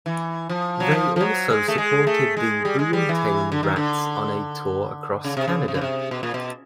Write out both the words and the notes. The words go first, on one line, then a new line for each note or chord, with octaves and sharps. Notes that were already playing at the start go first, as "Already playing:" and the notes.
They also supported the Boomtown Rats on a tour across Canada.
E3
F3
F#3
F3
F3
F#3
G#3
A3
G#3
A3
G#3
G3
G#3
G3
E3
D3
D#3
D3
C#3
C3
C#3
C3
C#3
C3
B2
A#2
B2